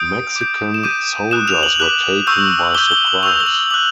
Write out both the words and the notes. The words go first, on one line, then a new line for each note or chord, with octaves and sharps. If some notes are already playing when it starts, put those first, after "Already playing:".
Mexican soldiers were taken by surprise.
Already playing: D#6 G6 D7
D6
G6
E7
D6 G6 D#7
D#6 F#6 E7
F7
F#7
D6 F#6
C#6 E6 G6
D6 G6 G7
G7
F#7
C#6 E6 G6 F7
G7
F#7
D6 F#6 F#7